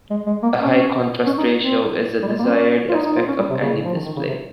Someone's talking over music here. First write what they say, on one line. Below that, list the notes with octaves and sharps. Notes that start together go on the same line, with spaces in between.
A high contrast ratio is a desired aspect of any display.
G#3
G#3
A#3
C#4
C#4
D#4
C4
G3
G#3
A#3
C4
C#4
F4
D#4
D#4
F4
C#4
G3
C3
C#3
F3
D#3
D#3
C#3
C3